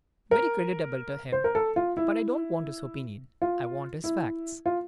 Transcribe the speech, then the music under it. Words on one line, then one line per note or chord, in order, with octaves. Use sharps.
Very creditable to him, but I don't want his opinion--I want his facts.
A#4
C5
A#4
A4
F4
E4
F4
E4
F4